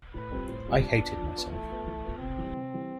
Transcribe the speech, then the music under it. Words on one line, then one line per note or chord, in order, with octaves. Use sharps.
I hated myself.
A2 B4
G3 C4 F4
A2 C5
G3 C4 F4
F3 D4
B3 F4
F3
B3 F4
E3 A3
B3 F4
E3
B3 F4
C3 C4
E3 G3
C3
E3 G3